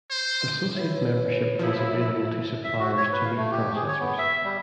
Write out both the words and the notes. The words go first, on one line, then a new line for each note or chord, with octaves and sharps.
Associate membership was available to suppliers to meat processors.
C5
E4 B4 C#5
F3 F#3 E4
E5
F#4
C#5
B4
F5
A3
G4
G#4
C#5
B3
E5
G3